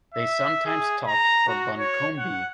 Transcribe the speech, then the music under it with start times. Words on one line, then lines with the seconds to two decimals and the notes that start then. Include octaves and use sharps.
They sometimes talked for Buncombe.
0.14 E5
0.66 G#4
1.07 A#5
1.48 F#4
1.79 C#5
2.19 F#5